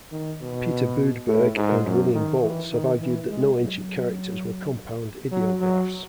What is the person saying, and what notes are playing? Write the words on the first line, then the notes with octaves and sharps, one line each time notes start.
Peter Boodberg and William Boltz have argued that no ancient characters were compound ideographs.
D#3
B2
A2
G#2
F#2
D#3
E3
D#3
E3
G#3
F#3
F#3
F#3